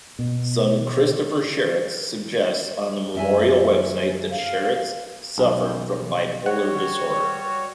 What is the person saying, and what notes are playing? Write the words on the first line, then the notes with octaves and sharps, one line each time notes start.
Son Christopher Sharits suggests on the memorial website that Sharits suffered from bipolar disorder.
B2
F#2 E5 G#5
F5
B1
G3 F#4 C#5 F#5